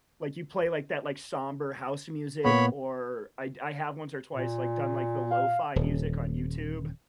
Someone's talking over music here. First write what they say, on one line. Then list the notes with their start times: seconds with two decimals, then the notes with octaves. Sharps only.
like, you play, like, that, like, somber house music or I'd I have once or twice, like, done, like, the lo-fi music on YouTube.
2.45 A#2 A#3 B3 C#5 B5
4.35 A#2
5.31 F5
5.76 D#1